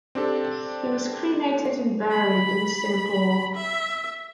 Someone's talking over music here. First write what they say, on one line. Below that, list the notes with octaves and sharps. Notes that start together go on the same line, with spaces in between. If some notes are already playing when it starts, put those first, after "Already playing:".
He was cremated and buried in Singapore.
C4 D4 G4 A4
B5
E5